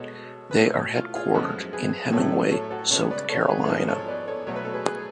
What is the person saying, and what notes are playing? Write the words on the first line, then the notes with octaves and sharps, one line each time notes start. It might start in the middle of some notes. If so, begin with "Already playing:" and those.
They are headquartered in Hemingway, South Carolina.
Already playing: B2 G#3 B3 A4 C#5
B4
B2 A3 A4 C#5
F4
F4 G#4
F#2 F3 G#3 B3 F#4 A4
G#4 B4
A2 F#3 A3 A4 C#5
A4 C#5
F#4 A4
C#3 G#3 B3 A4 C#5
B4 D5
A4 C#5
G#4 B4
A4
G#2 F3 B3 G#4 B4
A4 C#5
B4 D5
A4 C#5
B2 F#3 A3 C#5
B4
A4
G#4 B4
G#4 B4